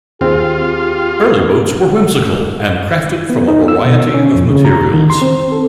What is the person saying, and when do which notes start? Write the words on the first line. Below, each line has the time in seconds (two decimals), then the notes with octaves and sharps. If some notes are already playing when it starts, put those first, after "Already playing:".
Early boats were whimsical and crafted from a variety of materials.
0.21 D#2 C4 F4 G4 G#4
3.30 B3
3.48 D#4
3.68 E6
3.85 B2
4.14 C#4
4.35 F2
4.50 C#3
4.65 A#5
4.94 D#3
5.10 C6
5.22 C4
5.52 A4